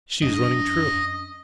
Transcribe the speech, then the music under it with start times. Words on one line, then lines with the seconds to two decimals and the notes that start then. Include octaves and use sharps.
She is running true!
0.22 F#2 D4 D#5